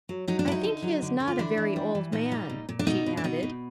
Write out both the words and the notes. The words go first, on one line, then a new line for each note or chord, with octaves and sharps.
"I think he is not a very old man," she added.
F#3
F#3 D#4
D4
F#3 E4
D#4
D3
F#3
D3
D3
F4
E3 D4 E4
E3
G3
E3
A#2 D#4
G3
A#2
A#2
D4
B2 D#4
B2
D4
B2 D#4
B2